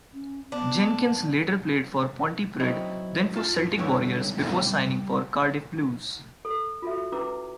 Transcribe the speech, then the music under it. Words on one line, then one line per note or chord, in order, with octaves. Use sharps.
Jenkins later played for Pontypridd, then for Celtic Warriors before signing for Cardiff Blues.
C#4
B3 D4
F#3 C4 D#4 E4
F4 A5
B1 D3 G3 E4 B4 C#5
G3
A4
F4 F#4 A4 E5
C#4 E4 B4 A#5 D6 E6